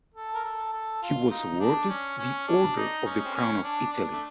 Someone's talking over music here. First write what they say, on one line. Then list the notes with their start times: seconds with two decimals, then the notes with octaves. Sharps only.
He was awarded the Order of the Crown of Italy.
0.14 A4
0.34 A#4
0.44 A4
0.73 A4
1.02 F4
1.30 D#4
1.60 D4
1.89 C#4
2.19 C#4
2.48 D4
2.76 D#4
3.06 C#4
3.24 C4
3.35 C#4
3.63 D4
3.92 D4
4.12 A3